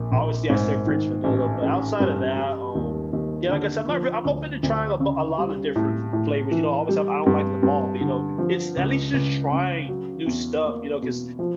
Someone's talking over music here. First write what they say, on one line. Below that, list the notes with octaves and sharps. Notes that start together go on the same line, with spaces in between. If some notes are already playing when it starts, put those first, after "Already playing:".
obviously I said French vanilla, but outside of that, um, yeah, like I said, my r I'm open to trying a b lot of different f flavors, you know, obviously, I don't like them all, but, you know, it's at least just trying new stuff, you know, 'cause
Already playing: A#1
A#1
G#2
D#3
A1
A1
G2
G3
D#2
D#2
D3
F3
D2
D2
C#3
G3
A2
A2
E3
G3
G2
G2
D3
F3
C#2
C#2
C#3
F#3
E2
A#3
B2
F3